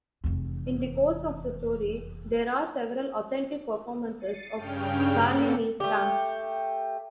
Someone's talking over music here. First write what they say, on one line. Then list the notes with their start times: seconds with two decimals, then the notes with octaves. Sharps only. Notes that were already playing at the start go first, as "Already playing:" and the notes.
In the course of the story there are several authentic performances of Balinese dance.
0.24 F1 E2
4.19 A6 C7 C#7 D#7
4.56 G2 C#3 G5 F6
5.22 A#3 B3 A4
5.80 A3 G4